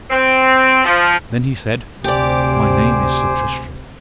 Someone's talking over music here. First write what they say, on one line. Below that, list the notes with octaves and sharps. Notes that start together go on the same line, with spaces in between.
Then he said: My name is Sir Tristram.
C4
F3
D2 C3 G4 C5 D5 G#5 D6